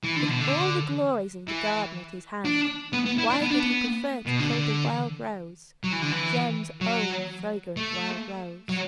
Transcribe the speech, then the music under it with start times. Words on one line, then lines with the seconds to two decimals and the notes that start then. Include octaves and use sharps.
With all the glories of the garden at his hand, why did he prefer to cull the wild-rose,--Jem's own fragrant wild-rose?
0.04 E3
0.16 D3
0.28 B2
0.41 D3
1.48 E3
2.45 D4
2.93 B3
3.06 B3
3.18 E4
3.30 D4
3.42 B3
3.50 D4
3.59 B3
4.26 B2
4.39 D3
5.84 F#3
5.93 E3
6.02 D3
6.11 E3
6.81 F#3
7.77 A3
8.69 F#3